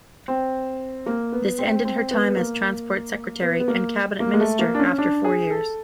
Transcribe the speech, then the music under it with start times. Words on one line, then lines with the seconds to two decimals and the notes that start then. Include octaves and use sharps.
This ended her time as Transport Secretary and cabinet minister after four years.
0.28 C4
1.06 A#3
1.32 B3
1.59 C4
1.85 C4
2.11 B3
2.37 A#3
3.42 B3
3.60 B3
3.68 A#3
4.20 A#3
4.34 G#3
4.40 A3
4.59 A#3
4.74 D4
4.79 C#4
4.98 D4
5.24 G#4
5.50 A4